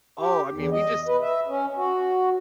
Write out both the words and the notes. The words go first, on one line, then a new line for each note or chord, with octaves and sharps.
oh, I mean, we just
G4
E2
D#5
B4
E5
C#4
F#4